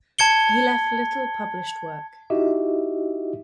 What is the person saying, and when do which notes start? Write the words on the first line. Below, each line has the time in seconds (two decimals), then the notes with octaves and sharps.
He left little published work.
0.19 A5 G#6 C#7 G7
2.30 D#4 E4 F#4 G4 D#5 E5